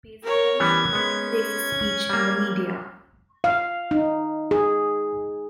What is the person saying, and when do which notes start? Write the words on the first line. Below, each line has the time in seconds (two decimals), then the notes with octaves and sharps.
It pays attention to any racist speech in the media.
0.23 A#4 C#5
0.60 E3 G3 B3 C#4 G#6
0.93 G#3 B3
2.10 G3 A#3
3.44 F5
3.91 D#4
4.51 G#4